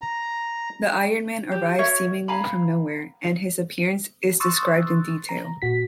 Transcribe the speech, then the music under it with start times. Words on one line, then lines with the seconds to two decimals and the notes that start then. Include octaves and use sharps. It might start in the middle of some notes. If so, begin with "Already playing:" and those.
The Iron Man arrives seemingly from nowhere, and his appearance is described in detail.
0.02 A#5
1.52 G4
1.79 F#4 A#4 C#5 E5
2.28 F5 G#5 A#5 B5
4.40 C6 C#6 D#6 E6 F#6 A6
5.29 A#5
5.62 A#2 F#4 B6